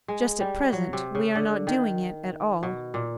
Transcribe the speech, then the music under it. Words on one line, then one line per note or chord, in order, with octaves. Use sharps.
Just at present we are not doing it at all.
G#3
G3
F#3
C3
C#3
D3
D#3
B2
A#2